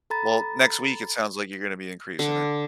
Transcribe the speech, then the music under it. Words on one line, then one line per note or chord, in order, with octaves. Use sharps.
Well, next week it sounds like you're gonna be increasing it.
A4 A#5 B5 A6
D3